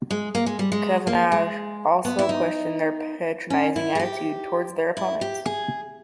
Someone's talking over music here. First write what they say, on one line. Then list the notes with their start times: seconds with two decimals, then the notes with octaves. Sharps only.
Cavanagh also questioned their "patronising" attitude towards their opponents.
0.11 G#3
0.35 A#3
0.46 G#3
0.59 G3
0.72 G#3
1.07 A#3
1.32 G#3
2.05 B3
2.19 E4
2.29 D#4
3.50 C#4
3.76 E4
3.95 G#4
3.99 G4
4.97 E4
5.21 G4
5.46 G#4